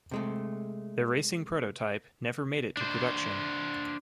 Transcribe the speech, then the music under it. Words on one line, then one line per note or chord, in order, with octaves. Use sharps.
The racing prototype never made it to production.
C3 G#3 A3
D4 C5